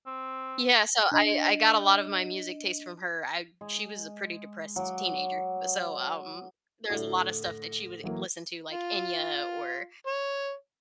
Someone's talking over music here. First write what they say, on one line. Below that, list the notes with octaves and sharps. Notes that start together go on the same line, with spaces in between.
yeah, so I I got a lot of my music taste from her, I she was a pretty depressed teenager, b so, um, there's a lot of stuff that she would listen to, like Enya or,
C4
D4 D#5 F#7
G#3
F#3 D6
A2 D3 D4 E4 F#4
A#6
E3 F#3 A#3
F4
C#5